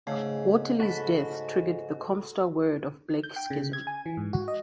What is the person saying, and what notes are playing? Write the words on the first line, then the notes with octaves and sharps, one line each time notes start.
Waterly's death triggered the Comstar-Word of Blake schism.
G#2 C#3 A3 C#5 E6
F#4 A4 B5
G6
G5
C#3
G#6
G#5
E3
G#2
F#4
D#5